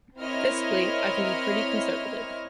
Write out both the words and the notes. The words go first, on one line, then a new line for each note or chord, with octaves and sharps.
Fiscally, I can be pretty conservative.
C4 E4 A#4 C#5 D#5 F6